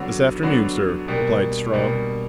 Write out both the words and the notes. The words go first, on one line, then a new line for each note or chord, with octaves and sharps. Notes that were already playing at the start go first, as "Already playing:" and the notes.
"This afternoon, sir," replied Strong.
Already playing: D3 F#3 B3 D4 F#4
D3 F#3 B3 D4 F#4
B2 G3 A#3
B2 G3 A#3